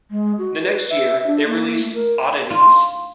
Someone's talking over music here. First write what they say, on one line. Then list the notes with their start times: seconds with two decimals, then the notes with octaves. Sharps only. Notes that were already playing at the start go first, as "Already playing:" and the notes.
The next year, they released "Oddities".
0.11 G#3
0.39 F#4
0.64 B4
0.90 E5
1.27 D4
1.47 A#3
1.78 A3
1.94 A#4
2.50 F4